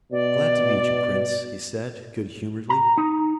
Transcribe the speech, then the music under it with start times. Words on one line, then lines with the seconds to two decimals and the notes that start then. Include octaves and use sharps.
"Glad to meet you, Prince," he said, good humouredly.
0.12 B2 D5
2.69 A#5
2.98 D#4